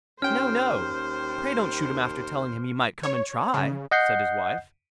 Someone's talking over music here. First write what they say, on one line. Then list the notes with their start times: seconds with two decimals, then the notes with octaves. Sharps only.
'No! no! pray don't shoot him after telling him he might come and try', said his wife.
0.22 D#2 C#4 C5 G5 F6
3.03 C#5
3.54 C#3
3.91 D#5 F#5 G6 C7